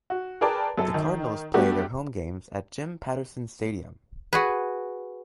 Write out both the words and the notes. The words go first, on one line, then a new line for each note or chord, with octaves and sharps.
The Cardinals play their home games at Jim Patterson Stadium.
F#4
G#4 A#4 B4 D5 G5 A5
F#2 A4
D#3
G3 A3 B3 D4 F#4 G4
F#4 G#4 B4